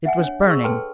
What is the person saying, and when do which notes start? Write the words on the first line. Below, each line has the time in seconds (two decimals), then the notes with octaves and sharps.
It was burning.
0.05 E5 F#5 G#5
0.19 D4 C#5
0.47 G#4 C#5 C#6 E6
0.64 A4 B4 G5 A5 C6